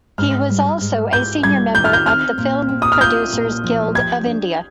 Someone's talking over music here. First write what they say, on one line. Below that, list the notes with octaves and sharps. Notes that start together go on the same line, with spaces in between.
He was also a senior member of the Film Producers Guild of India.
G#2 F6
G3
G#2
G#2 G6
G3 G#6
D#3 G6
F6
G6
C4 F6
A#2
C4
D#6
F6
F4 G6
A#2
F3
G4 G#6
D4